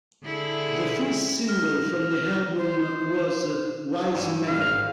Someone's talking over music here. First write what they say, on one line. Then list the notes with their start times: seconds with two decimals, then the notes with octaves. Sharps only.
The first single from the album was "Wise Man".
0.23 D3 E4 G#4
1.44 F6 A#6
2.58 C5
4.15 G2 E3
4.48 F5
4.60 G#1 A#5